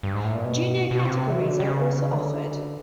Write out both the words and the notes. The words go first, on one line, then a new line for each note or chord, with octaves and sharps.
Junior categories are also offered.
G2
G#2
A2
A#2
B2
B2
C3
E3
D#3
D3
C#3
D#3
D3